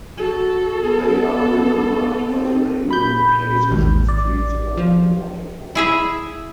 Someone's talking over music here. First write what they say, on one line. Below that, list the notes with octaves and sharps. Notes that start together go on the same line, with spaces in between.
They are remembered by the naming of places and streets along the waterfront.
F#4 A4
B3
C4
A#2 B5 G6
A1 D#2 G#2
D5
F3
E4 G#4 E5